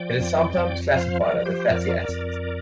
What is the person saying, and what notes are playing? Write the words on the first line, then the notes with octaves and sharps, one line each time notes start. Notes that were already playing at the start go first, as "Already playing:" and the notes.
It is sometimes classified as a fatty acid.
Already playing: F3 D5 G5
F2
F2
F3 C5 F5
A#4 D5
F3
G4 C5
F2 A#4 D5
F2